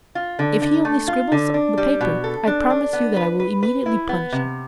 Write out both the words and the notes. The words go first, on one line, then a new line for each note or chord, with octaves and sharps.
If he only scribbles the paper, I promise you that I will immediately punish him.
F4
D3
D3
A3
F4
D3
D4
G3
B2
A4
D4
D4
B3
B4
B4
B4
E4
B3
C3